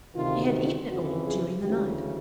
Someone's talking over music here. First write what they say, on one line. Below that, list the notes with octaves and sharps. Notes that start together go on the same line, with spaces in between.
He had eaten it all during the night.
D2 C3 D#3 F4
F2 C#3 E3 F#4
G#4
D2 C#3 E3 G4